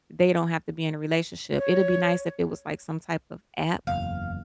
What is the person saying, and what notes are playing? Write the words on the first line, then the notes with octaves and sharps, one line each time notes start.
they don't have to be in a relationship, it'd be nice if it was, like, some type of app,
C#5
F#1 E2 F5